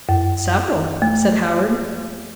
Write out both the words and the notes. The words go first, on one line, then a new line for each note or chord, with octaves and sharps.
"Several," said Howard.
F#2
A3